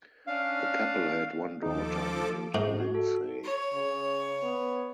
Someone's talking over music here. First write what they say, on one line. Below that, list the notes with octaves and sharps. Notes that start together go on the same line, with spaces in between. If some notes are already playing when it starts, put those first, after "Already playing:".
The couple had one daughter, named Lindsay.
C#4 D4 F5
D#2 F3 D#4 A4 D6
G#2
F#4
A4
C#5
C#3
B3